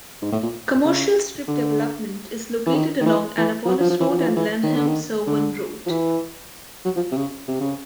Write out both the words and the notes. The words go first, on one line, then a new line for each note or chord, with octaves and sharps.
Commercial strip development is located along Annapolis Road and Lanham-Severn Road.
G#2
A2
A#2
C#3
D3
E3
D#3
D#3
E3
E3
F3
F#3
F3
F3
E3
F3
E3
F3
E3
D#3
D3
D#3
D3
F3
E3
F#3
F3
C3
C#3
C3
C#3